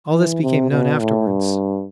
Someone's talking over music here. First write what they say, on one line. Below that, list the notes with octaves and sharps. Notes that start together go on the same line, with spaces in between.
All this became known afterwards.
E3
C3
B2
A2
G2